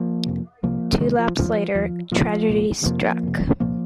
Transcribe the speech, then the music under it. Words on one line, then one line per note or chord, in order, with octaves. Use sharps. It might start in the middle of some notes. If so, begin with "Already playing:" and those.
Two laps later, tragedy struck.
Already playing: F3 A#3
F2 C3
C2 C3 F3 A#3
C2 C3 D#3 G#3
F3
D#2 F3
D#2 F3
C2 A#2 F3
C2 A#2
F2 C3 F3 A#3
F2 C3
C2 A#2 F3 A#3